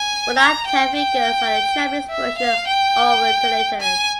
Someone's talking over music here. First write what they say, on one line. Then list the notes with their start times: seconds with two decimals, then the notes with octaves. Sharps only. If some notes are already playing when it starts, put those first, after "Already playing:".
Binaltech figures are the Japanese version of Alternators.
Already playing: G#5
0.38 A#5
0.67 G5
0.95 G5
2.10 E5
2.38 F5
2.67 G5
3.81 G#5